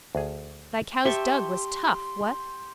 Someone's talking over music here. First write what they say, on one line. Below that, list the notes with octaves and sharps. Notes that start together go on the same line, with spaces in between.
Thy cow's dug was tough, what?
D2 G#4
G4 C5 E5 A5 C6 C#6 G7